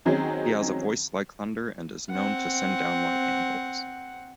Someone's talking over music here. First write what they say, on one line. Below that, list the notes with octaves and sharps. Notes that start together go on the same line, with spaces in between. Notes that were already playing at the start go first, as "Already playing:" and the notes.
He has a voice like thunder and is known to send down lightning bolts.
D#3 F#3 C4 C#4 D#4 G#4
C4 F#5